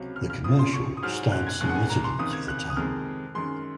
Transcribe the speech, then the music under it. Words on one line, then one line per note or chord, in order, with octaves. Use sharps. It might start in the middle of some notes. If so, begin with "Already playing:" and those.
The commercial starred some residents of the town.
Already playing: C#2 C3 F#3
F6
F6
F2 C#3 F3 D#6
C6
C#6
D#6
G#2 F#3 F6
F#6
G#6
D#2 D#3 G#3 F#6
F#5
G#5
A#5
C6
C#2 C3 D#3 D#6
G#6
F#6
D#6
F2 C3 D#3 G#3 F6
F#2 D#3 G#3 C6